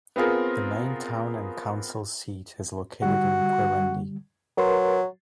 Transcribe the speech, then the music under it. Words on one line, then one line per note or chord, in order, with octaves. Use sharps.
The main town and Council seat is located in Quirindi.
B3 C4 F4 G#4 A#4
D3 G3 F#4
F#3 A#4 B4 C6